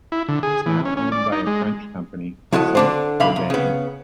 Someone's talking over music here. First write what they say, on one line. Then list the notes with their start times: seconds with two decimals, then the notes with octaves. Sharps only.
It is now owned by a French company, Saint-Gobain.
0.12 E4
0.29 D3
0.43 G#4
0.66 E3
0.85 C#4
0.97 C#4
1.12 D5
1.32 D#4
1.46 G#3
2.52 F3 E4 F#4 A4 D#5
2.75 D3 D4 C5
3.20 B1 D3 D#3 E5 F5 B5
3.36 C2
3.50 C#3 B3